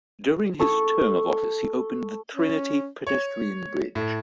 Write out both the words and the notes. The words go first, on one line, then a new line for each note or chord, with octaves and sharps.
During his term of office he opened the Trinity pedestrian bridge.
A4 C#6
C#4
C#5
A2